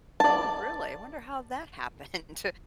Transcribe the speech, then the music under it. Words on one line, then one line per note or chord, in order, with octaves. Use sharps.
Oh, really? Wonder how that happened.
D5 A5